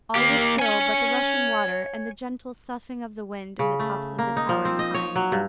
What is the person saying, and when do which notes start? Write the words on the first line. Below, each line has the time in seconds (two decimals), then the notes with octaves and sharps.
All was still but the rushing water and the gentle soughing of the wind in the tops of the towering pines.
0.15 A#3 G4
0.59 C#5 G#5
3.59 C#3
3.79 A3
4.19 A#3
4.37 D#4
4.49 F3
4.65 C4
4.79 D#5
4.94 C#5
5.16 F#3
5.32 G2